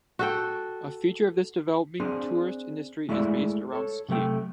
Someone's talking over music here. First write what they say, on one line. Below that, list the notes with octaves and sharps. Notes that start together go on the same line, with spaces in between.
A feature of this developing tourist industry is based around skiing.
F#4 A4 G5
C4 D4 G#4 C5
G#3 A3 E4 G#4 D5 E5
A4 C#5
C3 F#3 A3 G5